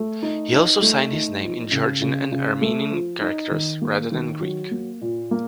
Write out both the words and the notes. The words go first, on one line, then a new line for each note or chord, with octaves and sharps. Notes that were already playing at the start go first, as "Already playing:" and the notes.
He also signed his name in Georgian and Armenian characters rather than Greek.
Already playing: A3
D#4
D#4
A3
D#4
F3
C#3
C#3
C#3
A3
F3
D#4
D#3
A#3
D#3
F#3
A#3
A#2
A#3